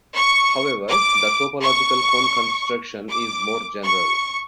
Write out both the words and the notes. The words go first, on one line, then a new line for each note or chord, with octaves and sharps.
However, the topological cone construction is more general.
C#6
D6
C#6
D6
C#6